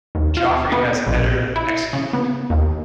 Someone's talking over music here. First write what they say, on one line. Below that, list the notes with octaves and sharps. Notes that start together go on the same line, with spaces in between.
Joffrey has Eddard executed.
D#2
F4
B3
A#1
E4
C#3
B3
D#2